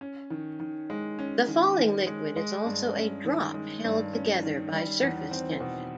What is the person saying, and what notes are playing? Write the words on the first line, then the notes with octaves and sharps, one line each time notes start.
The falling liquid is also a drop held together by surface tension.
C#4
D#3
D#3
G#3
C#4
D#3
D#3
G#3
G#3
G2
C#4
D#3
G#3
G2
C#4
D#3
G3
E2
C4
B2